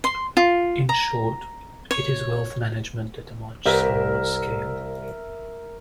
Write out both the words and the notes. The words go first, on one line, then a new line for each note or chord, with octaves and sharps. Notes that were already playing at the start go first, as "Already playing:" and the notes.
In short, it is wealth management at a much smaller scale.
C6
F4
A#5
C#5
C2 G4 A#4 B4 E5